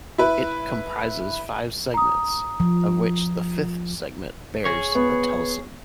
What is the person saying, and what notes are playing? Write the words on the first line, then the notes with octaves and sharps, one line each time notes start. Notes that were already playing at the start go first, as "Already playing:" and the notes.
It comprises five segments, of which the fifth segment bears the telson.
E4 B4
A#5 D#6
F3
G#4 C#5
B3